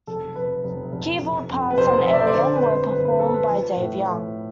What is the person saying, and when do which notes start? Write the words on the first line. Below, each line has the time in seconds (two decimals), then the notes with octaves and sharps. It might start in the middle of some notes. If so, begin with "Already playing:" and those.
Keyboard parts on "Alien" were performed by Dave Young.
0.07 F1 A4
0.36 F1 B4
0.64 F1
0.92 F1
1.21 F1
1.49 F2
1.71 B4
1.78 F1 C5
2.06 F1 E5
2.13 D5
2.20 C5
2.27 D5
2.34 D3 C5
2.55 B4
2.63 F2 C5
2.91 G1 B4
3.05 B4
3.19 G1 A4
3.34 B4
3.48 F3
3.76 A2
4.05 A2